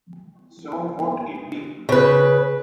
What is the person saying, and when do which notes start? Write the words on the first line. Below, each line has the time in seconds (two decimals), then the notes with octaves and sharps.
So mote it be.
1.89 C#3 B4